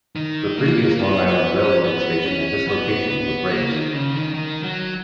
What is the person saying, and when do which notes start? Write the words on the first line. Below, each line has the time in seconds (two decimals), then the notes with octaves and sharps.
The previous Long Island Rail Road station at this location was razed.
0.16 D#3
0.58 A#3
0.99 B3
1.27 B3
1.55 C#4
1.84 B3
2.26 C#4
2.68 B3
3.08 B3
3.51 A#3
3.72 D#3
3.93 C#3
4.13 D#3
4.34 D#3
4.63 F#3